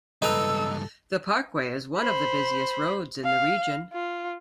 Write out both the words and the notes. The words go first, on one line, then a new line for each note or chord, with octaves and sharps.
The parkway is one of the busiest roads in the region.
C#2 G2 D#4 A4 B4 A#5 E6
C5 B5
F5
F4